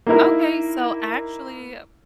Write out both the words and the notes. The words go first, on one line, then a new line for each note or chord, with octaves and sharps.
Okay, so, actually,
A#3 D#4 E4 A#4